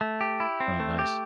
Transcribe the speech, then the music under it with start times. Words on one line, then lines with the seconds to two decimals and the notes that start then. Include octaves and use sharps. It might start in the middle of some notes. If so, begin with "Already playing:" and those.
Oh, nice.
0.01 A3
0.21 G4
0.40 E4
0.60 C4
0.80 A3
0.99 G4